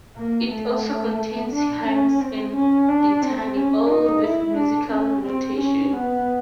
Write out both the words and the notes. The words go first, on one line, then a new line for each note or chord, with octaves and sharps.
It also contains hymns and a litany, all with musical notation.
A#3
A3
D4
C#4
C4
C#4
D4
C4
C#4
D#4
E4
D4
C#4
C4
C#4
B3